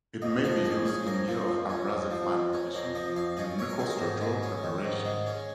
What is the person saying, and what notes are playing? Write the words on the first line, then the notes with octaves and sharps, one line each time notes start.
It may be used in lieu of abrasive fine polishing in microstructural preparation.
F2 D#5
F3 A#4
F2 G#4
C#4 G#4
F2 A#4
F3
F2
C#4
F2
F3
F2
C#4
F2 A#4
F3 D#5
F2 F5
C#4 D#5
C#4 C#5
A#4
D#3 G#4
A#4
G#2
G#3
C#4
D#3
G#2
G#3
C#4